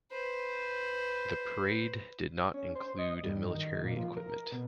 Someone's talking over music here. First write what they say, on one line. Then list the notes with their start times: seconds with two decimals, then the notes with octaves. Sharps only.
The parade did not include military equipment.
0.12 B4 C5
2.54 C#4
2.75 C5
2.98 D#5
3.23 G2
3.49 D#3
3.84 A#2
3.97 F3
4.17 A#4
4.52 B2